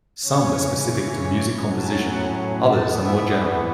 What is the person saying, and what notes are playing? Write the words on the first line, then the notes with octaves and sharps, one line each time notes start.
Some are specific to music composition; others are more general.
C#3 E3 C#4 C#5
C#5
A2 F#3 C#4
A5
F#5
E3 B3 A5
E5